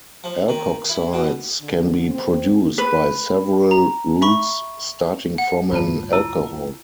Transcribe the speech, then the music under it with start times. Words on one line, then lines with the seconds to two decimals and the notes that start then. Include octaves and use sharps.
Alkoxides can be produced by several routes starting from an alcohol.
0.24 F3
0.48 D#3
0.89 E4
1.13 B2
1.61 D3
2.10 C4
2.78 B4
3.71 A#5
4.22 E5 B5 C#6
5.38 F#5
5.71 A1 D2 G2 F4 C#5 A5
6.13 E4 A5 E6